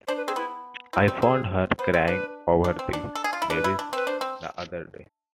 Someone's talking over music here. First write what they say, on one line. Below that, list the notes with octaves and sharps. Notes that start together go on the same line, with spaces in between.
I found her crying over the babies the other day.
D4 C5
B4
C4 G#4
B3 E4
C4 E4
C4
C4 G#4
B3 C5
C4
D4 B4
D4
C4
D4
A4
G#4
F4
E4
D4 B4
E4
D4
C4 B4
D4 C5
C4